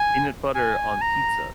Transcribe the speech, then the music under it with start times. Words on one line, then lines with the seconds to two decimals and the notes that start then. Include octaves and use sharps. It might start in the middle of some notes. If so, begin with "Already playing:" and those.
Peanut butter on pizza?
Already playing: G#5
0.55 G#5
1.01 A#5